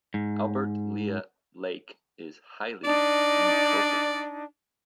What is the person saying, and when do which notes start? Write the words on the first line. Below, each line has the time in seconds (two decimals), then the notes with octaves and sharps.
Albert Lea Lake is highly eutrophic.
0.14 G#2
2.85 D4 D#4 D5